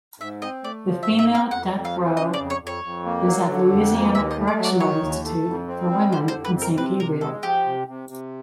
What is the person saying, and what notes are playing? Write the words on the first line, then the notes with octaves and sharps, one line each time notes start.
The female death row is at Louisiana Correctional Institute for Women in Saint Gabriel.
G#2 E5
C4 D#5
A3 D5
F3
E5
G#2
E5
C4 F5
F2 F#5
F2
F5
F3
C#3 D#5
D5
F2
C#5
F2 C#5
F2
A#3
F#3
D3
F2
A#3
D#2 E5
D#5
A3
D5
F#3
D5
D#3 C#5
D#2
A3
F2
C4
G3
D3 C5
C5
F2
B4
C4
A#4
C3 B4
C3 A#4
G#3 A4
F3 G4
C3
C3
C3